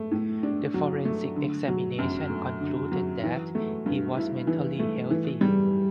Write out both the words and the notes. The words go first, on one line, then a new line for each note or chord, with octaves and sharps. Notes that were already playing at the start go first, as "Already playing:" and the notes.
The forensic examination concluded that he was mentally healthy.
Already playing: A3
A2
D4
F#3
A3
D3
F#3
F#2
A3
D3
F#3
E3
A3
G2
E4
E3
A3
E3
G3